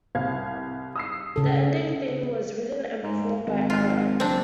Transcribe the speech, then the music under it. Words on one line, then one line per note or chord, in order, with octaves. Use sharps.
The ending theme was written and performed by Arai.
C2 F5 G#6
D#6 E6 C7
C#3 A4
G#2
G#1
F4
F#1 C4 D4